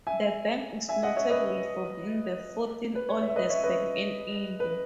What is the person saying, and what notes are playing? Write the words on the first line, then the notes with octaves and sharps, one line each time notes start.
The bank is notable for being the fourteenth oldest bank in India.
E5 G#5
E5 G#5
D#5 F#5
C#5 E5
B4 D#5
B4
C#5
C#5 E5
B4 D#5
C#5 E5
B4 D#5
B4